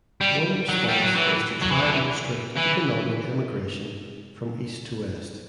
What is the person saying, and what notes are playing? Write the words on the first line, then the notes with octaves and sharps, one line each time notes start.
One response was to try and restrict economic emigration from east to west.
G3
F#3
G3
F#3
E3
F#3
E3
D3
E3
E3